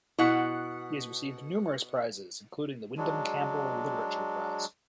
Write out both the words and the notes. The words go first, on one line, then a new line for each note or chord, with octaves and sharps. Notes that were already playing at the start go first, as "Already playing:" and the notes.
He has received numerous prizes including the Windham-Campbell Literature Prize.
B2 E4 F#5
F#3 G#3 D4